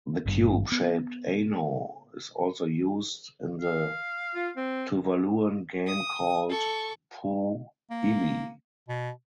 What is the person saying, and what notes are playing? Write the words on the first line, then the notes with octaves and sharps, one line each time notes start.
The cube shaped "ano" is also used in the Tuvaluan game called "poo ili".
G#1 G2
B3
F5
F4
C4
D#6
A4 C#6
A#3
B2